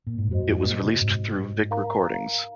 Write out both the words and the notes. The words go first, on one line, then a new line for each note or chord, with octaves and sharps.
It was released through Vik Recordings.
A#2
G#2
F#2 F#4 C5 D#5
F#2
A#2
C3
G#2
D#4 A#4 F5 A#5